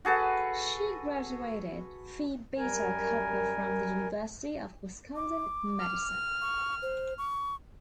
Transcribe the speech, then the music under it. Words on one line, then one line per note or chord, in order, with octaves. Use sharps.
She graduated Phi Beta Kappa from the University of Wisconsin-Madison.
F#4 G#4 A4 B4
F#2 G3 A#4 G#5
D6
F6
C#6
C5
C#6